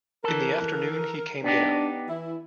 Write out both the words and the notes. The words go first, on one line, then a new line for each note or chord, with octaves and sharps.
In the afternoon he came down.
E3 A4 A#4
B3 D4 D#4 G4
E3 E4